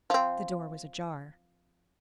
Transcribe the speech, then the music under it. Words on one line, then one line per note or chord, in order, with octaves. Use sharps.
The door was ajar.
F3 C4